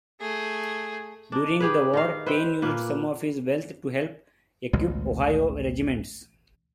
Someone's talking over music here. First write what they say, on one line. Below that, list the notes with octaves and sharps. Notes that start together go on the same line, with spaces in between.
During the war, Payne used some of his wealth to help equip Ohio regiments.
A3 G#4
D4 D#4
G4 G#4 B4
D#3 D#4 F5
B4 C5 E5 G5
A#2 A#3 B4
A1 D2 B2 G#3